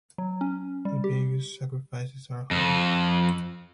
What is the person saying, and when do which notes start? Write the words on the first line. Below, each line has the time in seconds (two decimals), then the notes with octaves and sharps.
The various sacrifices are holy.
0.18 F#3
0.41 C#4
0.85 G3
1.04 G4
2.51 F2